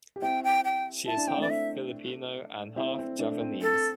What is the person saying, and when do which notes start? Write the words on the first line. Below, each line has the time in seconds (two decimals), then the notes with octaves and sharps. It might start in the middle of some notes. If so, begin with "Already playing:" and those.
She is half-Filipino and half-Javanese.
0.16 G4
0.22 C4 E4 G5
0.44 G5
0.65 G5
1.06 E4 A5
1.17 D4
1.27 C4 G5
1.37 A3 D4 D5
1.50 E5
2.76 C4 E4
2.99 C4
3.19 A3 D4
3.40 C4
3.61 C4 A4